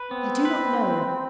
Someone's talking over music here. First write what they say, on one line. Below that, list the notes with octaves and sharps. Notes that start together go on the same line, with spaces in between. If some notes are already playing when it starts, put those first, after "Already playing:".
"I do not know."
Already playing: B4
B3 C4
B4